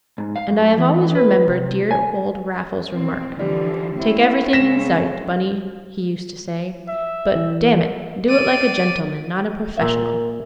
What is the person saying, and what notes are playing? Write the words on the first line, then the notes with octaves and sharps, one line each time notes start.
And I have always remembered dear old Raffles's remark, "Take everything in sight, Bunny," he used to say; "but, damn it, do it like a gentleman, not a professional."
G#2
F5
F#2
E3
B4
C3
G#5
B2 C4
D3 E3 F3 G3
G#3 C4 C#4 E4
C#3 A#6 B6 E7
E5
E3
D5 D#7
A#2 A#4 E5